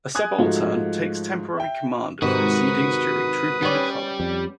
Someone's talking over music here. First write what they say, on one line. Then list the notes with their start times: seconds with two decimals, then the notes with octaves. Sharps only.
A subaltern takes temporary command of proceedings during Trooping the Colour.
0.15 G#5 D#6 F#6 G#6
0.39 G#2 F3 A3 F#4
1.57 E5 G5
2.22 G#2 C3 D#3 F#4 B4 D#6
3.62 G3 B3 C#4 D5
4.20 F2